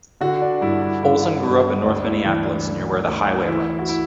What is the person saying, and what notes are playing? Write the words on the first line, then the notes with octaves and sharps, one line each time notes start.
Olson grew up in North Minneapolis, near where the highway runs.
D3 F#4
D4
G2 E4
E4
D3 E4
G2
D2 D4
E4
E3 E4
D4
C#3
D2
E3 E4
F#4
E4